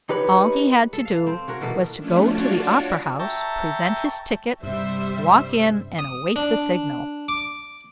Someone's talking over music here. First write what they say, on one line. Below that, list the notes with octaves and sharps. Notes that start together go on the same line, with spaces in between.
All he had to do was to go to the opera-house, present his ticket, walk in and await the signal.
D#4 G4 B4 C#5 B5
A4
F5
C4
C#4 F#4 A#4
B2 E3 A#3 A4
F3 A3 C#4 D4
D4 F4 F#4 C#5 D5
E5 G5 A5 A#5 C#6
G2 C3 G3 C5 E5
D#6
D4
D6